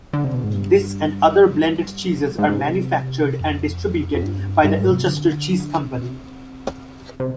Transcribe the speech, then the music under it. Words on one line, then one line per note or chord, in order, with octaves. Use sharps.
This and other blended cheeses are manufactured and distributed by the Ilchester Cheese Company.
D3
C3
B2
G#2
G2
F2
G#2
G#2
G#2
C3
F2
F2
G2
G2
G#2
C3
D3
C3
C3